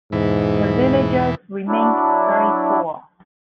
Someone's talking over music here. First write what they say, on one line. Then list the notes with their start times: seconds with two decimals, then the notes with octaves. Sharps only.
The villagers remained very poor.
0.12 E2 G#2 B2 E3
1.68 F#3 D4 E4